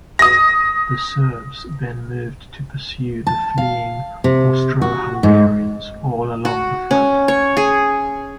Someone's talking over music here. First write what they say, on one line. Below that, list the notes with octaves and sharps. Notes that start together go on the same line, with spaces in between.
The Serbs then moved to pursue the fleeing Austro-Hungarians all along the front.
D#6 A#6
A5
F5
C3
F#4
G#2
F#4
C#4
C#5
G#4